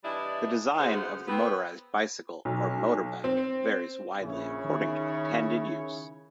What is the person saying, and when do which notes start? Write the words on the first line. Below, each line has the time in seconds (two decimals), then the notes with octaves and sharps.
The design of the motorized bicycle or motorbike varies widely according to intended use.
0.03 E3 G3 D4 E4 D#5
0.78 D2 C#3 B3 G#4 C5
1.27 B3 C4
2.45 B1
3.24 C4
4.21 A#1 C#3 E4 C#5
4.65 D#3